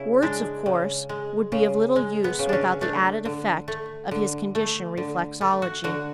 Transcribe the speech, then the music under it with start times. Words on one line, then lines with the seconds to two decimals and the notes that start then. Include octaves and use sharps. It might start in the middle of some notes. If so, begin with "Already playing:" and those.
Words, of course, would be of little use without the added effect of his conditioned reflexology.
Already playing: C#3 E4
0.22 G#3 D4
0.66 C#3
1.09 G#3
1.52 C#3
1.96 G#3
2.24 B3
2.39 C#3
2.49 C#4 D4
2.81 A3 D4
3.25 D3
3.68 A3
4.11 D3
4.55 A3
4.97 D3
5.41 A3
5.62 F#4
5.84 D3 F#4